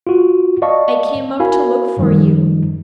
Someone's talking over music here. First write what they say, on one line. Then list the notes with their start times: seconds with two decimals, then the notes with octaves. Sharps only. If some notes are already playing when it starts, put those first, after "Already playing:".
I came up to look for you.
0.07 F4 F#4
0.62 D5 D#5 F5 A5 C#6
1.40 E4 F#4 A#4 F5 G#5 B5
1.98 F#2 D#3 F3 G3 D#4